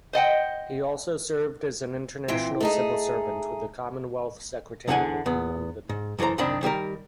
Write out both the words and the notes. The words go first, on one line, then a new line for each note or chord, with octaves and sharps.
He also served as an international civil servant with the Commonwealth Secretariat in London.
C5 D#5 F#5 G5
A#2 E3 C4 G5
A3 D#4 G#4
E2 D3 E3 D4 F#5 G#5
E2 B3
G#2
F#2 E3 A4 C5 A#5
C2 F#2 D#3 C4 D4 B5
D#3 G3 G4 A#4